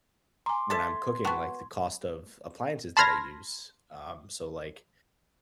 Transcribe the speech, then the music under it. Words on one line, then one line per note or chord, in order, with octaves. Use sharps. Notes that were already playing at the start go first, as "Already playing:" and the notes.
when I'm cooking, like, the cost of appliances that I use, um, so, like,
G#5 A#5 C6 D6
A4 E5 A5 C6 G#6
B3 F#4 G5 A5 C#6
A5 B5 C6 F6 G#6 A#6